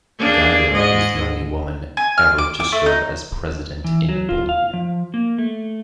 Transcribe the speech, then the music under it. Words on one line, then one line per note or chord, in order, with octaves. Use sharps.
Gueiler is the only woman ever to serve as president in Bolivia.
A#3 D4 G#4
G#2 G#3 D#5
G#5
F6
D6
D6
A3
D#4
E3
F#3
F4
F5
F3
A#3
A3